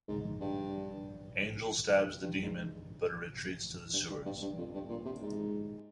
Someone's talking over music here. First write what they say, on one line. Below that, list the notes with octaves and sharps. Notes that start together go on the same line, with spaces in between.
Angel stabs the demon, but it retreats to the sewers.
G#2
G2
G2
G2
G#2
G2
G2
G2
G2
F2
G2
A#2
C3
G#2